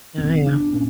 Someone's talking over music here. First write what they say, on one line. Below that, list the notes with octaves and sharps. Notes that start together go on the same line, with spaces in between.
Oh, yeah.
F#1 E2 B2 C4
D4
A#2 C#4